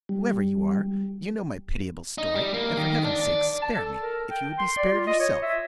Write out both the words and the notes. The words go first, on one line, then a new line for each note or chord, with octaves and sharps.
'Whoever you are, you know my pitiable story, and for Heaven's sake spare me, if you would be spared yourself!'
G3
D#4
G3
A#3
D#3
D4
D5
A5
A4
A#4
G5
C6
D5
F4
D#5
C#5
E5